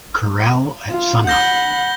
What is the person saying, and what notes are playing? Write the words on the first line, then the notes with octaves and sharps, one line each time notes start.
Corral at sunup.
F4
F#5 B5 G6 A#6 G7